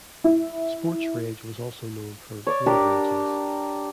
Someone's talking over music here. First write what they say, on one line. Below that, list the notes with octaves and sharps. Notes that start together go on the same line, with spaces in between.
Sports Rage was also known for "Road Rages".
E4
C#5 D5
D4 G4 A#4